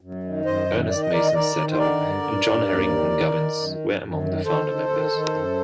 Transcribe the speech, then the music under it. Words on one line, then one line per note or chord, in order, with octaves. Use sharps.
Ernest Mason Satow and John Harington Gubbins were among the founder members.
F#2
D#3
F#2 C5 D#5
D#3
D#3 D5
D#5
D#3 A#4 D5
D#5
D#3 A#4 D5
D#3
C5
D3 A#4 D5
G2
G2
G2
D#2
D#3
D#3
D#3
F#2
F#2
F#2
D#3
D#3 A4 C5
D#3
D#3
D#3
F#2